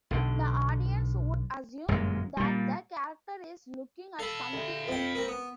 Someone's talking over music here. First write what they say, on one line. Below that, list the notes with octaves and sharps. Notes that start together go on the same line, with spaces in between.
The audience would assume that the character is looking at something else.
B1 D3
G1 F#2 A#2 G#3
A#2 G3
A4 F5 B5
D2
F2 G5
A#3 C4
B3